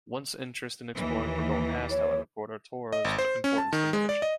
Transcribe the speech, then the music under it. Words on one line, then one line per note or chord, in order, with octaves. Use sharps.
Once interest in exploring for gold passed, however, Puerto Toro's importance diminished.
D#2 E3
C#5
D#5
G#1
C5
C#4
A5
D#3
G#3
D5
D#5